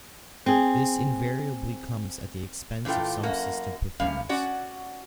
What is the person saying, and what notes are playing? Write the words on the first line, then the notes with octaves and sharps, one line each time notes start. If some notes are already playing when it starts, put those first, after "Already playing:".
This invariably comes at the expense of some system performance.
C4 G#4
A#2 E3 F4 A4 G5
F#2 A#3 F#4
A#2 G3 C#4 F5
C#4 F#4 D5 F#5